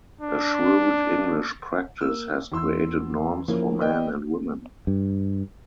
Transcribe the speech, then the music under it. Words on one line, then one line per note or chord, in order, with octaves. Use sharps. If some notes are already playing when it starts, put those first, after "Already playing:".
A shrewd English practice has created norms for men and women.
D4
A#3 E6
E2 E4 C6 E6
F3 A#3 C#4 E4
B4 D5 D#5 G5
G2